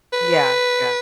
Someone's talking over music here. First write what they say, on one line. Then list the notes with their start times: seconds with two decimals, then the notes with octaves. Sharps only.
Yeah. Yeah.
0.13 B4